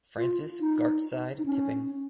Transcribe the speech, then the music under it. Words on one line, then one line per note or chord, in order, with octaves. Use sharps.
Francis Gartside Tipping.
F4
D#4
D#4
C#4